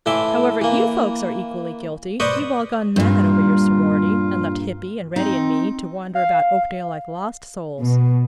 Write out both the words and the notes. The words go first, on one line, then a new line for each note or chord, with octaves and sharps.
However, you folks are equally guilty, you've all gone mad over your sorority, and left Hippy and Reddy and me to wander about Oakdale like lost souls.
A2 E3 E5 C6 D6
E3 A#3
B4 C5 D5 D#5 C#6
G2 A#2 F4
C4 D#4
F5
B2